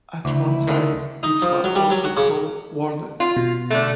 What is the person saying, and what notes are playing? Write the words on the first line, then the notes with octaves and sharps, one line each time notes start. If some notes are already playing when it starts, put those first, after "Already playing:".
At one time it was also called Walnut.
D2 C#3 E4
D2 D3 D#3
D#4
F3
F#3
G3
F#3
F#4
C#3
F4
B2
D3 A3